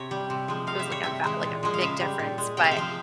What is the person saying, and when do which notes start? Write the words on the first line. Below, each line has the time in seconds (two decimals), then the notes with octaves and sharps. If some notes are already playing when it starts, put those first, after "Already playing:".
it was, like, a va like a big difference. But
Already playing: C3 C#5
0.11 G3
0.30 C3
0.48 F3 G#3
0.67 C3 F5
0.79 E5
0.86 G3
0.92 C#5
1.03 C3 E5
1.24 E3 G#3
1.43 A#2
1.63 F3 G#3
1.74 F5
1.81 C#3 E5
2.00 G3
2.19 A#2
2.38 G#3
2.57 C3 G5
2.64 F5
2.71 E5
2.76 F3 G#3 F5